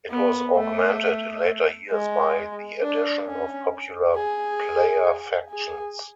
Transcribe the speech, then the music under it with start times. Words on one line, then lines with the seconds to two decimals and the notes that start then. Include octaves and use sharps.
It was augmented in later years by the addition of popular player factions.
0.11 B3
0.56 A3
1.91 G#3
2.81 D4
3.26 C#4
4.15 G#4
5.50 G#4